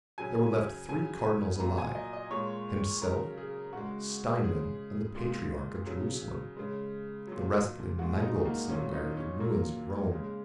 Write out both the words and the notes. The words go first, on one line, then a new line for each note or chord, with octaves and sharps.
There were left three Cardinals alive, Himself, Steinmann, and the Patriarch of Jerusalem; the rest lay mangled somewhere in the ruins of Rome.
C#3 F#3 G#5
C#3 F#3 G#5
A#2 F#3 A#5
G#5
D#5
D#5
A#2 G#3 C#5
C#3 F#3 A#4
G#4
C#3 G#3 F#4
C#3 G#3 G#4
A#2 G#3
C#3 F#3
C#3 G#3
A#2 F#3
A#2 G#3 F#4
D#4
A#3
A#2 F#3 C#4
D#4
C#4
A#2 F#3 A#3
C#3 G#3